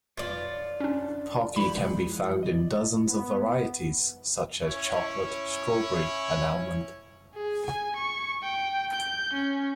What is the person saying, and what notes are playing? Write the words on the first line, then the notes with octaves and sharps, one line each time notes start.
Pocky can be found in dozens of varieties such as chocolate, strawberry, and almond.
F4 B4 C#5 D5
C#4 D4
E3 F3 G#3 B5
D5 D#5
B3
C#4 E4 C#5
G#4
G#5
C#6
G5
G6
C#4